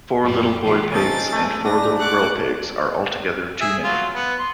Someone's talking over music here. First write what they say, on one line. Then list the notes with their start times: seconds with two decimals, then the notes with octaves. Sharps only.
Four little boy pigs and four little girl pigs are altogether too many.
0.20 F#2 A2 G3
0.63 E3 G3 F4
0.92 C#3 C4 D#4 A4 A6
1.32 G#3 A3
1.65 D4 A#6
1.99 F#5 D6 F#6
3.61 G#4 E5
3.84 F#3 F4
4.14 B3
4.39 C6